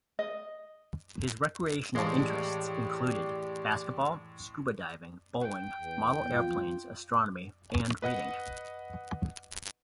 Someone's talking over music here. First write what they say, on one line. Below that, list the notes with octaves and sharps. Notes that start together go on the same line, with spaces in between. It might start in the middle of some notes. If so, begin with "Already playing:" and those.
His recreational interests include basketball, scuba diving, bowling, model airplanes, astronomy and reading.
D#5
A2 E3 G#3 G4 D5 F5 A5
G5
E2
F4
B4 D#5 F#5